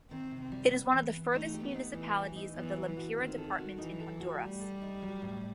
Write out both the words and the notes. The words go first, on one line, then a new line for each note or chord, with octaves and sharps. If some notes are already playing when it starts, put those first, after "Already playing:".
It is one of the furthest municipalities of the Lempira department in Honduras.
D#3 C4
C3
C4
G3
B3
E3
E4
A3 D#4
G4
B3
D#4
E3 B3
G4
D#4
E3 B3
B4
E3
F#4
D#3 C4
A4
F#4
E3 D#4
A4
F#4
G3 A3
A4
D#4
F#3
A2